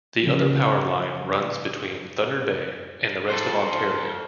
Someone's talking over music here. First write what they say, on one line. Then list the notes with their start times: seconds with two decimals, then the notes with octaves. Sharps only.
The other power line runs between Thunder Bay and the rest of Ontario.
0.23 C#3 F3
3.30 A4 C5